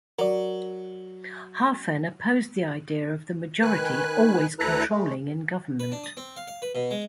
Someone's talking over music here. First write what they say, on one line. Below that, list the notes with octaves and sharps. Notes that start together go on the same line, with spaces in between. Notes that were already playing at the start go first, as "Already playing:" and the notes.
Hafen opposed the idea of the majority always controlling in government.
F#3 A#4 D5
D#3 B4 G#5 F#6
D2 E4 A4 B4 A#5 F#6
G#3 A3
B4
D4
D#6
C4
F5
F5
B4
B2
G#3